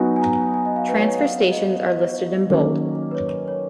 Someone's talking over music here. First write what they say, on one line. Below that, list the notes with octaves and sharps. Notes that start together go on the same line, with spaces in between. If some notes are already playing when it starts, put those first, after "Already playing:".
Transfer stations are listed in bold.
Already playing: F#3 B3 D#4 F#4 G#5
G#5
A#5
G#5
D#5
F5
B4
C#5
F5
D#5
D#5
D#3 F#3 A#3 C#4
B4
C#5
C#5